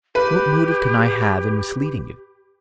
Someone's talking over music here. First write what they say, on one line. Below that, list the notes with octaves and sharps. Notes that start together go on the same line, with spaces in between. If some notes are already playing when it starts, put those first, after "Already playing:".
What motive can I have in misleading you?
G4 B4